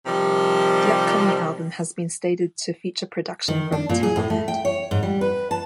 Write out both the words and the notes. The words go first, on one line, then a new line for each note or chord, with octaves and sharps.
The upcoming album has been stated to feature production from Timbaland.
C3 D#3 F3 G3
D#3
D4
A#2
G#4
A2
A3
G5
C#5
G#2
G3
B4
A5